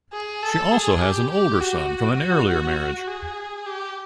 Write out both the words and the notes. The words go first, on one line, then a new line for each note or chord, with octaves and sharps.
She also has an older son from an earlier marriage.
G#4
A4
G#4
G4
G4
F#4
F#4
G#4
G4